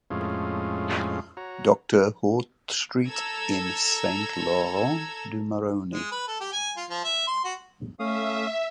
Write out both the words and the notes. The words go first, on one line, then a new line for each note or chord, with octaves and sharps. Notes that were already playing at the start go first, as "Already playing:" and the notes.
Docteur Horth Street in Saint-Laurent-du-Maroni.
F2 A2 G#3 C#4 F4
F#4 C#5 A#5
A4 A#5 E6 G#6
G#3
B4
A4
G4
G#5
F4
F3
E5
C6
F#4
A3 C#4 E5 F5 D#6